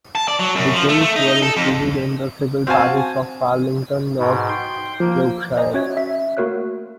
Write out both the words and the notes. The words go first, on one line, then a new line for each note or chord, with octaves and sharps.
Details were included in the civil parish of Farlington, North Yorkshire.
A5
D5
F#3
F#2
F3
A3
A3
D#4
D#4
A4
F2
C4 F#4 F5 G#5 A5
G#5
G#2 B2
G5 C6
F3 A#3
C5 D5 D#5 G#5 A#5
C#4 F#4 C#5 E5 G#6
E5 B6
A3 A#3 F#4 A#4 C#5 F#6